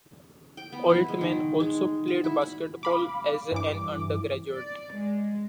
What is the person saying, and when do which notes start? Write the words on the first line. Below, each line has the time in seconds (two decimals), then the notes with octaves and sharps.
Altmann also played basketball as an undergraduate.
0.57 G5
0.72 B3
0.90 E4
1.08 G#3
1.21 D#3
1.60 G#3
2.08 F#4
2.24 E4
2.41 B5
2.83 F5 B5 D6
3.52 G2 E3 D6
4.52 D5
4.95 G#3